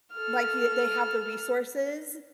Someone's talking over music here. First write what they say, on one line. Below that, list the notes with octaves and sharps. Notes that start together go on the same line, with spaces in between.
like you they have the resources
A4 F6